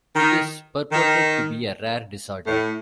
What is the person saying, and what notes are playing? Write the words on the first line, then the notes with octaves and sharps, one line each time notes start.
It is purported to be a rare disorder.
D#3
D#3
A2